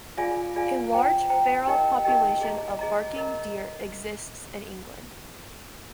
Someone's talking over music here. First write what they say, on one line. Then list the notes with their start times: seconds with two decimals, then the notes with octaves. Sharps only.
A large feral population of barking deer exists in England.
0.17 F4 G#4 D5 F5 G#5
0.55 F4 G#4 D5 F5 G#5
0.93 C5 G5 A#5
1.30 C5 G5 A#5
1.67 D#4 G4 A#4 D#5 G5
2.05 D#4 G4 A#4 D#5 G5
2.41 G#4 D#5 A#5
2.79 G#4 D#5 A#5
3.16 A#4 D#5 A#5